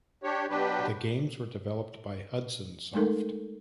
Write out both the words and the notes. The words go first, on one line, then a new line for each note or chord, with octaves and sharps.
The games were developed by Hudson Soft.
D4 G4 C#5
B2 F#3 D4 G4 B4
G#3 A3 D#4 A4 A#4